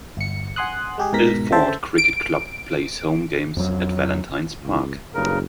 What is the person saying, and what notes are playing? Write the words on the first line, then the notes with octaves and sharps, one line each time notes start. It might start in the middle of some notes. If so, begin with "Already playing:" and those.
Ilford Cricket Club plays home games at Valentines Park.
G1 C#7
F#5 G#5 C6 D#6 F#6
G#3 G4 G#4
G#2 B2 G#3 A#4 A#6 B6
C#3 A4 C5 E5 G5 A5
D7
F2 F#3
C#2
F#1 G2 C#3 A#4